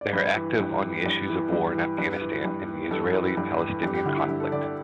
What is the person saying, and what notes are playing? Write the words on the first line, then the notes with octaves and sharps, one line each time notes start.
They are active on the issues of War in Afghanistan and the Israeli-Palestinian conflict.
D5
G2 B4
E3
G2
E3
G2
E3
G2
E3
G2 B4
E3
G2
E3
G2 A4
E3
G2
E3
G2 G4
G4
D3 E4
E4
G2
A4
D3 D5
D5